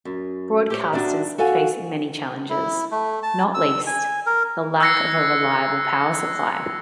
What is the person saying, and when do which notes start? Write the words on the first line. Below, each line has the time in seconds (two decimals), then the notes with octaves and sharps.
Broadcasters face many challenges, not least the lack of a reliable power supply.
0.05 F#2
0.70 G4 C5 C#5
0.93 D4 F#4 D5 E5
1.38 F#4 A4 F5 F#5 G#5
2.50 E4
2.91 A3
3.23 A5
3.55 E6
3.87 G#5
4.26 A#4
4.81 E6 F#6 G#6 A#6 C7 C#7